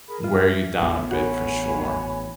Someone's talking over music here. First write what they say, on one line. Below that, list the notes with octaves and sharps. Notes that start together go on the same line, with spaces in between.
wear you down a bit for sure.
G#4 A#4 B5
F4 E5
A1 B3
F#4 C#5 G#5 B5